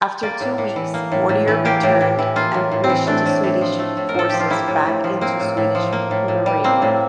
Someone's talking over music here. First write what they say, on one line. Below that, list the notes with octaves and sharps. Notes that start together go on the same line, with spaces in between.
After two weeks Mortier returned and pushed the Swedish forces back into Swedish Pomerania.
A#3 D5
A2
A2
E3
A#3
A2
A2
E3
A#3 G4
A2
A2
E3
A#3 F4
A2
A2
C4
E3
A3 D4
A2
A2
F3
A3
A2
A#4
A2 A4
F3 G4
F4
A#3 E4
A2
A2
F3
A#3 C4
A2
A2
F3
A#3
A2
A2
G3
A#3 C4
A2